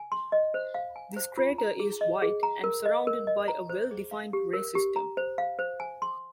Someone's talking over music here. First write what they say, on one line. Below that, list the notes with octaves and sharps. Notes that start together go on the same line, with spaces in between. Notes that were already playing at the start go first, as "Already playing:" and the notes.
This crater is white and surrounded by a well-defined ray system.
Already playing: G#5
C6
D#5
C5
F5
G#5
C5
F4
A#5
G#4
D#5
G#4
A#5
A#4
D#5
A#4
D#5
A#5
C5
G#4
F5
G4
A#4
G4
A#5
C5
F5
C5
G#5
C6